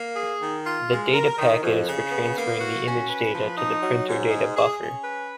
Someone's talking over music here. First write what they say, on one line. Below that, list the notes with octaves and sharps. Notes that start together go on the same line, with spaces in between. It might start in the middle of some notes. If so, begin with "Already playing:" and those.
The data packet is for transferring the image data to the printer data buffer.
Already playing: A#3
G#4
D#3
F4
G#3
A#4
D#3
F2
C#3
B3
A#3
F#4
C#4
B4
F3
D#4
F#3
G#2
G#3
G#4
C#4
B4